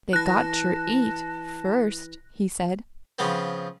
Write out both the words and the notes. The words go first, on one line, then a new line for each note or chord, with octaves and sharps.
"They got ter eat--first," he said.
E3 A5 F#6 A#6
C#3 F3 B3 C4